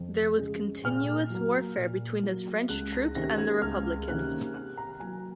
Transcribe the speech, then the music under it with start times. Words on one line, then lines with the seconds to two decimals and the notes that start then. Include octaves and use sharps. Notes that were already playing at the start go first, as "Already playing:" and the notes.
There was continuous warfare between his French troops and the Republicans.
Already playing: F2
0.38 C#3 G#3
0.84 A#2 F6
1.30 F#3 A#3
1.77 A#2
2.23 F#3 A#3
2.69 C#2 F#6
2.93 A#6
3.15 C3 D#3 A#3 C#4 A#6
3.38 G#6
3.62 C#2 F6
4.08 C3 D#3 A#3 C#4 F#6
4.54 C3 F#6
4.77 A#5
5.00 F#3 A#3 G#5